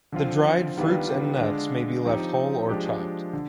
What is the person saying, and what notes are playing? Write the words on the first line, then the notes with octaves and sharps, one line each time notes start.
The dried fruits and nuts may be left whole or chopped.
D3 F3 C4 F4
D#3 G3 B3 D4 F4
D3 G#3 D4 F4
F3 C4 D#4 G4
F3 G#3 D4 G4
D3